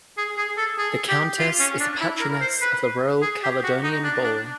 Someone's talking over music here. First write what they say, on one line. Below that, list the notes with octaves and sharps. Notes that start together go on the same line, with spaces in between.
The Countess is a Patroness of the Royal Caledonian Ball.
G#4
G#4
A4
G#4
G4
F4
C#4
D4
E4
A#4
C5
B4
G#4
G4
F#4
D#4
D4
D4